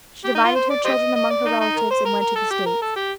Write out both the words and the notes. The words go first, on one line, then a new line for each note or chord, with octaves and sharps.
She divided her children among her relatives and went to the States.
G4
D#4
F4
C5
D5
G4 C5 D#5
D#5
D5
D#4
D#4
A#4
C5
A#4
A#4
A4
G4
A#4
A4
G4